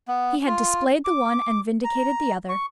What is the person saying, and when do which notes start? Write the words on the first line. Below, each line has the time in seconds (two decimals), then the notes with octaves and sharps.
He had displayed the one, and vindicated the other.
0.08 B3
0.46 F4
1.05 D6
1.84 A#5
2.49 C#6